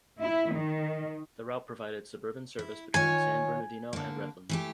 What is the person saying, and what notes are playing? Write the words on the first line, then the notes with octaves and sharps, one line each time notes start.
The route provided suburban service between San Bernardino and Redlands.
E4
D#3
E4
D#3 F4 C#5 G#5
D3 A#3
E3 A3 G4